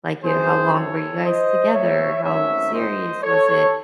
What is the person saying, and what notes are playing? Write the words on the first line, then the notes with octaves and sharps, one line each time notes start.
like, you how long were you guys together? How serious was it?
F#2 E3 C4 G#4 C5
A4 C#5
C5 D#5
C#5 E5
G#1 G#2 F#3 A3 C#4 C#5 E5
C5 D#5
A4 C#5